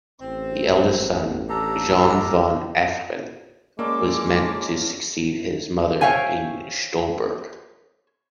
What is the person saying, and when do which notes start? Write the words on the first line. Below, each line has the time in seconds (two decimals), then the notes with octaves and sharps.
The eldest son, Johann von Efferen, was meant to succeed his mother in Stolberg.
0.21 A1 C4
1.49 A#3 D4 G4 A4 A#5
3.79 G#3 A#3 C#4 A4 D5 D6
6.01 C5 C#5 E5 F5 G5 G#5